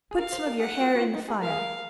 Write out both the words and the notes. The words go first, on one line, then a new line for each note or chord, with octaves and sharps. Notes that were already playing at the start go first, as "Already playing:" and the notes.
Put some of your hair in the fire.
G#4
A#4 F5
C5
A#4
G#4 F#5
F#4
F#4
F4
D#4
G#4
A#4 F5
G#4
A#4